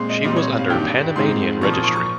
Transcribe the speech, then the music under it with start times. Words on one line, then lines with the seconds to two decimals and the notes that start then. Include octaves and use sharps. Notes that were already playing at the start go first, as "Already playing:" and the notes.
She was under Panamanian registry.
Already playing: A#2 G#3 C4 C6
0.10 D#5
0.24 A#2 G3 C4 D#5
0.36 C#5
0.59 F5
0.70 G2 D#3 G3 G5
1.16 G#2 D#3 G#3 C4 C6
1.61 A#2 F3 A#3 C#6
1.73 D#6
1.84 C#6
1.96 C#6